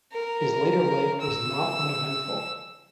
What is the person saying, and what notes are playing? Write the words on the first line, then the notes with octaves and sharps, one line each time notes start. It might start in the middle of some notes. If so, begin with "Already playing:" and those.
His later life was not uneventful.
A#4
E6